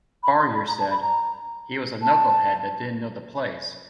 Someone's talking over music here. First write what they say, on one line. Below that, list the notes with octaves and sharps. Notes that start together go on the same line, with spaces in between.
Farrior said, He was a knucklehead that didn't know the plays.
B5
C6
B5
A#5
A5
B5
A#5
A5